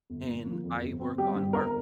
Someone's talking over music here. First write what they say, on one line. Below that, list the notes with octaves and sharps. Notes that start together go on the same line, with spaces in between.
And I work on art.
G1
A#3
F3
F2
G1
C4
G3 G4
G2
G1 A#4